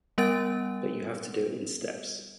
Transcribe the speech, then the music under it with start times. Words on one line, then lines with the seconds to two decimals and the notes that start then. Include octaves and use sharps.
But you have to do it in steps.
0.18 G3 B3 A#4 F#5 A6 D7